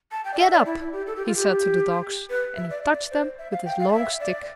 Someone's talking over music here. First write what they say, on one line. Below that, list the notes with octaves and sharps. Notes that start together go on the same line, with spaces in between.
"Get up!" he said to the dogs, and he touched them with his long stick.
A5
G5
D5
E5
D5
E4
E4
G4
A4
G4
F4
G4
B4
E5
D5
D5
C5
E5
F5
G5
F5
D5
E5
D5